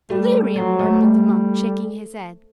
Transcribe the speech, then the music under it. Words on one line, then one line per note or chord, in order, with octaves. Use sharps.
"Delirium!" murmured the monk, shaking his head.
G3 A3
F#3 C4
A3
G3